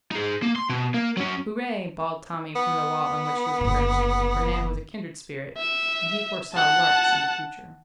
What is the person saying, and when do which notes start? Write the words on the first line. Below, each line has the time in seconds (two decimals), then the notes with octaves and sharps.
"Hooray!" bawled Tommy from the wall on which he was perched, for Nan was a kindred spirit, and he foresaw "larks" in the future.
0.12 D#4 G#4
0.42 A#3
0.56 C6
0.69 B2
0.94 A#3
1.17 F#3 C#4
2.56 B3
3.61 F#1 D3
5.57 E5
6.52 F#5 A5